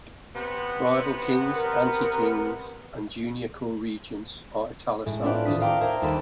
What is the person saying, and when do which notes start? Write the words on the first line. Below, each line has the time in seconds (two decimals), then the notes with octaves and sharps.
Rival kings, anti-kings, and junior co-regents are "italicized".
0.35 C3 B3
1.54 A#4
5.06 A2 G#3
5.23 C4 D4 F4 B4 D5
5.45 D#1 D4 D#6 B6
5.61 A#4 F5 G5 A#5 C6 D6
5.81 A#4 C5 E5 G5 A#5 G#6
6.02 D#2 G3 A4 B5